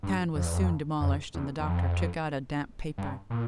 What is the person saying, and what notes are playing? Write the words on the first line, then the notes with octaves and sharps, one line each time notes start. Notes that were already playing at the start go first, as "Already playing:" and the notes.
The cairn was soon demolished, and the doctor took out a damp paper.
G2
F2
E2
F2
F2
E2
E2
F2
G2
A#2